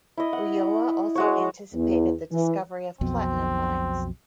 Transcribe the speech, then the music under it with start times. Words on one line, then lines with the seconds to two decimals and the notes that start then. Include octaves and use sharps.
Ulloa also anticipated the discovery of platinum mines.
0.17 E4 D#5
0.33 F#5
1.15 G#3 F#4 C#5
1.74 E2
2.31 E3
3.01 B1 F2 B2 C4